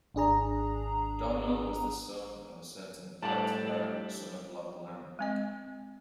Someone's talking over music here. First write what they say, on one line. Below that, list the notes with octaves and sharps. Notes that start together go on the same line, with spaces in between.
Domnall was the son of a certain Artgar son of Lochlann.
G#1 D4 G#4 A#5
A2 G3 D4 A5
G#3 C4 D#5